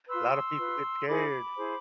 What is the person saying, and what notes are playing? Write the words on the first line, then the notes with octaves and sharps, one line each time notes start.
Lotta people get scared
F4 B4 C6 E6
F4 B4
E4 G#4 C5 B5 D6
E4 G#4 C5